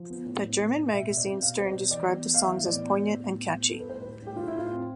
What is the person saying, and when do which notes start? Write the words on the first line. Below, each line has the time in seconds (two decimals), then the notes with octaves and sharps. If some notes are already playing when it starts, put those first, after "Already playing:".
The German magazine "Stern" described the songs as poignant and catchy.
Already playing: F3
0.10 B3
0.26 A2
0.42 B3
0.59 A2
0.76 A2
0.92 B2 E5
1.09 B2 E5
1.17 D5
1.26 C4
1.42 B2 F5
1.58 C4 C5
1.66 D5
1.74 B2
1.91 E3 D5
2.08 B3
2.24 B3
2.34 F5
2.40 E3 E5
2.57 A2
2.65 D5
2.73 B3
2.91 B3
3.07 A2
3.23 A2
3.39 B3
3.56 B3
3.71 G3 A4
3.80 B4
3.88 A2 C5
4.02 B4
4.06 G3
4.22 A2 G4
4.36 A2 F4
4.47 E4
4.55 A2 F4
4.72 C4